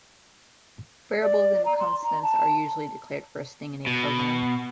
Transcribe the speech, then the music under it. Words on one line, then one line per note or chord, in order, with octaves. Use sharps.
Variables and constants are usually declared first thing in a program.
D5
A#5
C6
A#5
A5
B2